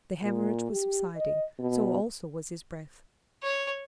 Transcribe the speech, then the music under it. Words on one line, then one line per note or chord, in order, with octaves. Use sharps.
The hemorrhage was subsiding; so also was his breath.
A#2
G4
D#5
B2
C#5